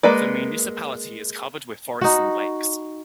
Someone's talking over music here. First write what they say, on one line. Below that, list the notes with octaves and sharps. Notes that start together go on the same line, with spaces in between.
The municipality is covered with forests and lakes.
G#3 A#3 B4 D5
D#4 F#4